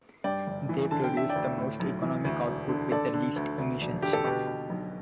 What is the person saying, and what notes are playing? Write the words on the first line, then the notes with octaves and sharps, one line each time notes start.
They produce the most economic output with the least emissions.
G2 D5 G5
G1
E3
D3 A5
G5
D3 E5
D5 G5
D2
A2
B1
E3
D2
E1
D3
D3 A4 D5
D3
D2
D2
E1
D3 G4
A4
B2 G4 B4
B2
B1